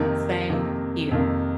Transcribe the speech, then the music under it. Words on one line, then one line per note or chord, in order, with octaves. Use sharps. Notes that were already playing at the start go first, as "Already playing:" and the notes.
Same h here.
Already playing: F2 C3 D#3 A#3
F2 C3 D#3 A#3
F2 C3 D#3 A#3